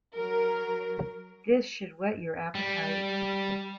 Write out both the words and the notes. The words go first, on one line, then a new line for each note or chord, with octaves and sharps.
This should whet your appetite.
F#3 A#4
G3